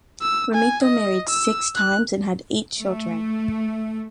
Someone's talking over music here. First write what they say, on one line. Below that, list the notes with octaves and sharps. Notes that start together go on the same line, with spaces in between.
Ramito married six times and had eight children.
E6
G#5
D#5
E6
F#6
A3